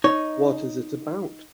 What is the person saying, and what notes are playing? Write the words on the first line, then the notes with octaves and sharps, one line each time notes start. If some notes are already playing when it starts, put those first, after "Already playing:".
What is it about?
D#4 C#5